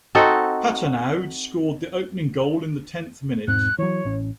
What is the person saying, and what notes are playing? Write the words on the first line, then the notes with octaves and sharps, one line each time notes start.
Patenaude scored the opening goal in the tenth minute.
C4 D#4 F#4 A4
E1 G#2 C4 F#6
E3 F#3 C#5
A1 C#4